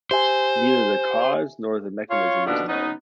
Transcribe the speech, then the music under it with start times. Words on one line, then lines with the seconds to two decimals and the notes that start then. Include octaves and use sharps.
Neither the cause nor the mechanism is known.
0.11 G4 C5 E5 G#5
2.10 F4 C#5
2.45 D#2 B2 D3 F3 D4
2.66 B3 C#4 D#4